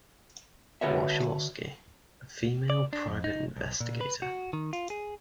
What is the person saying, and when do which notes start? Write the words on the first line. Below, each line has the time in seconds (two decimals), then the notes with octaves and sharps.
Warshawski, a female private investigator.
0.81 D3 F#4 B4 C#5 E5
2.70 D5
2.93 D4
3.08 F2
3.24 D#4
3.56 B1
3.81 A#2
4.01 B4
4.22 F#4
4.53 D#3
4.73 F4
4.90 G#4